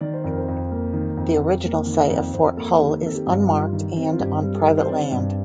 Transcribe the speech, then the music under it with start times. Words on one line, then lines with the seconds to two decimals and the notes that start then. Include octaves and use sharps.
The original site of Fort Hull is unmarked and on private land.
0.01 D#3 D5
0.14 C5
0.24 F2 A#4
0.38 C5
0.48 F2
0.71 A#3
0.93 D#3
1.17 F2
1.40 F2
1.64 A#3
1.87 D#3
2.02 D#5
2.10 F2 D5
2.34 F2 C5
2.57 A#3 A4
2.79 D#3 G4
3.03 C4 A4
3.15 G4
3.26 G2
3.49 G3 F4
3.73 D#3
3.97 C4
4.12 F4
4.19 G2 G4
4.42 G3
4.54 A4
4.66 D#3
4.77 C5
4.89 C4 D5
5.12 G2